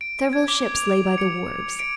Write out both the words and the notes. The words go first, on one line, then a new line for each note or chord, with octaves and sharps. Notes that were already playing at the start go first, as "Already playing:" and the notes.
Several ships lay by the wharves.
D7
G#6
D6
F7
C#7
D7